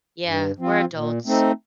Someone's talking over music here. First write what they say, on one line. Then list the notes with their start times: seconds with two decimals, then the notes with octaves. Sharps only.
Yeah, we're adults.
0.25 G2
0.59 F3 C4 F4
0.92 A#2
1.26 A3 C4 D#4